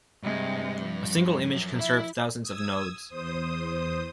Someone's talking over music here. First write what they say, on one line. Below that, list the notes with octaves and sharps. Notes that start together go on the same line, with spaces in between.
A single image can serve thousands of nodes.
G2 C3 G#3
F3
F#2
E4 E5
D#6 E6 G#6
E2 C5 D#6